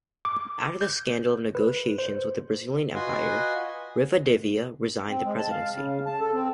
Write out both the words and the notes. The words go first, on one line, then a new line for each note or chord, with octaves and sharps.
After the scandal of negotiations with the Brazilian Empire, Rivadavia resigned the presidency.
D6
G6
B4
C5
F4 F#4 B4 D#5 G#5 C6
C4
G#3
A5
F5
C#3
A5
A4
C4